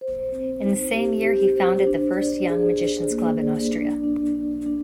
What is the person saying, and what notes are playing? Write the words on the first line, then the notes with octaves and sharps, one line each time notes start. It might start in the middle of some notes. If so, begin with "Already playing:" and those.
In the same year he founded the first Young Magician's Club in Austria.
C5
C4
D#4
G4
G4
C5
D4
D5
G#4
G#4
A#3
D5
D4
D4
D4
D4